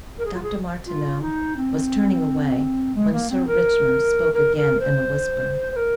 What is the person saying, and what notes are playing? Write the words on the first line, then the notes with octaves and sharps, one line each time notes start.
Dr. Martineau was turning away when Sir Richmond spoke again in a whisper.
A#4
G#4
F4
G#4
F4
D#4
C4
G#3
A#3
C4
A#4
A#4
A#4
C5
C5
A#4